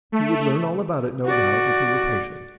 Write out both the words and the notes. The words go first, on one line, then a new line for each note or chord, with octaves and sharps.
He would learn all about it, no doubt, if he were patient.
A3
F#4 D5